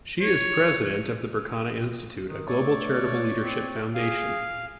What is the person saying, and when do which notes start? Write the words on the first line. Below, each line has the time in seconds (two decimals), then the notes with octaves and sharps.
She is president of the Berkana Institute, a global charitable leadership foundation.
0.21 C#5
2.27 D#3
2.48 A3 C#5 D5
3.40 C4
3.95 G#4 F5